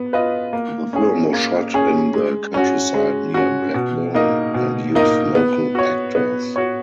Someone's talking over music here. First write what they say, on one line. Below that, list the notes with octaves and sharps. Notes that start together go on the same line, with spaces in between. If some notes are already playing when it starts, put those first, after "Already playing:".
The film was shot in the countryside near Blackburn and used local actors.
Already playing: B3
F4 B4 D#5
A#3
C#4 G#4
A#3
C#4 G#4
G#3
C#4 F#4
G#3
C#4 F#4
B2
A#3 D#4 A#4 D#5
B2
A#3 D#4 A#4 D#5
B3
F#4 C#5
B3
F#4 C#5